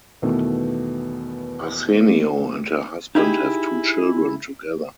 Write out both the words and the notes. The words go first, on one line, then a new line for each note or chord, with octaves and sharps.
Asensio and her husband have two children together.
E2 B2 D#3 A3
D#4 E4 G4 G#4